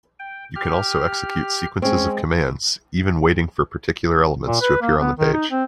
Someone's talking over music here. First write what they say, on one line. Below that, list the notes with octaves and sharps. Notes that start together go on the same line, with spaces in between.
You can also execute sequences of commands, even waiting for particular elements to appear in the page.
G5
G4 F6
G#3 C4 C#4
A#2
B4
A#3
B3
D#3
D#4
C4